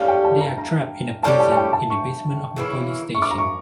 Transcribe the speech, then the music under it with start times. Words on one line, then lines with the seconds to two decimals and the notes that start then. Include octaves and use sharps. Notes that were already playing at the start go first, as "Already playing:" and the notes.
They are trapped in a prison in the basement of the police station.
Already playing: A2 G3 C#4 G4 F5
0.08 G5
0.25 A5
0.41 A#5
0.58 A#5
1.23 A2 G3 C#4 G4 A5
1.40 A5
1.52 A5
1.57 G5
1.73 A5
1.90 C#6
2.56 C#3 E3 A#3 E4
3.15 C#6
3.22 D6
3.31 A#5
3.38 C#6